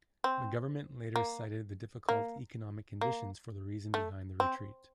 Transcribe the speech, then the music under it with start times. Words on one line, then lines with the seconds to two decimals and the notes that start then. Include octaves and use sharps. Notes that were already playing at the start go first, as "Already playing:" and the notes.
The government later cited the difficult economic conditions for the reason behind the retreat.
0.24 C4
1.16 A#3
2.09 A#3
3.01 A#3
3.94 A3
4.40 C4